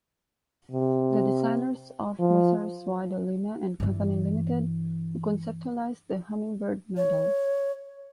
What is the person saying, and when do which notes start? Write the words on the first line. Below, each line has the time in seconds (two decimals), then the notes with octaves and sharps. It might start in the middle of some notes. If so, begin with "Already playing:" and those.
The designers of Messrs Y. DeLima and Company Limited, who conceptualised the Hummingbird Medal.
0.71 C3
2.19 F3
3.80 G2 E3
6.97 C#5